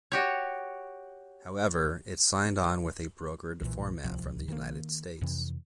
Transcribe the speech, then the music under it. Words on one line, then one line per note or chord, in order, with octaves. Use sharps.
However, it signed on with a brokered format from the United States.
F#4 G4 C#5
B1 A#2 E3
D1 C2 C3 F3
D#3 A#3
F2 C3 E3